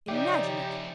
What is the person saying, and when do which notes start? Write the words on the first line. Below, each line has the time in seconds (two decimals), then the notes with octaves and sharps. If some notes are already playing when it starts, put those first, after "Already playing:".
Imagine it!
0.08 F3 D#4 G4 C#5 D5 E5